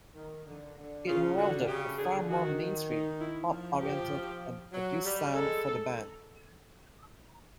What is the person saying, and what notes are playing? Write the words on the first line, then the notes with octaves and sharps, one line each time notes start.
It heralded a far more mainstream, pop-oriented and produced sound for the band.
D#3
D3
D3
C#3 F4
D3 F#4
C#3 G4
D3 G#4
D#3 F#4
D#4
E4
F3
G4
F#3
G3
G#3 A4